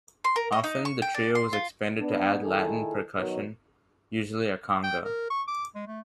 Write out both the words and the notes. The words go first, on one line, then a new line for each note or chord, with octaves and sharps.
Often the trio was expanded to add Latin percussion, usually a conga.
C6
A#4
D#5
D#4
C#6
G5
D4
C6
F4
B3 D4
A#2 D#3 E4 G#4 A4
B2 D#3 F#3
G5
A#4
C#6
D6
G#3
A3